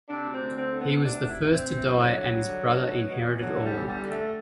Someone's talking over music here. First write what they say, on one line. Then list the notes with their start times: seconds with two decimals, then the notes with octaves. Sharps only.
He was the first to die and his brother inherited all.
0.09 C3 D4
0.25 D2
0.33 C4
0.41 D2
0.57 D3 C4
0.72 D3
0.80 B3
0.88 D2
1.04 C3 D4
1.20 D2
1.28 E4
1.36 D2
1.51 E3 C4
1.67 E3
1.83 F#2
1.98 D3 F#3
2.14 D3
2.30 G2
2.46 D3
2.62 D3
2.78 D2
2.93 B2
3.09 B2
3.25 E2
3.41 D3 F#3
3.56 D3
3.65 G3
3.72 E2
3.87 D3 G3
4.03 D3
4.11 A3